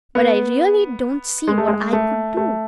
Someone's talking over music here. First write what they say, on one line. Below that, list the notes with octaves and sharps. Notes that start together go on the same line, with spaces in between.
But I really don't see what I could do.
B3
G#3
A3
G#3
A3
A3